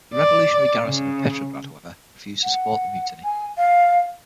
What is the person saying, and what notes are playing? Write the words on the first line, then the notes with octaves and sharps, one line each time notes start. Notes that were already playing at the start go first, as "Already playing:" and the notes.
The revolutionary garrison of Petrograd, however, refused to support the mutiny.
D5
C#3
F#5
G#5
F5